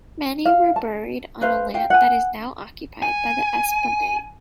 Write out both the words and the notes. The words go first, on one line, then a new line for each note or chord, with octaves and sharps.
Many were buried on land that is now occupied by the Esplanade.
F5
A5
B4 C5 F5
F5 G5
F#5 G#5
G#5